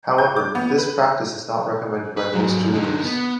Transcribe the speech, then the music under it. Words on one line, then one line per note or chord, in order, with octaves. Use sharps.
However, this practice is not recommended by most jewelers.
G6
D6
B3
B4
B4
G#2 F#3
D3 D#4
B3